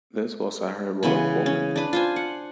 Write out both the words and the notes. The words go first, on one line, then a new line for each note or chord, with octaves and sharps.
This was a heroic woman.
C#3 E3 B3 B5
C#4
D4 B4
F4 C5 G#5
F#5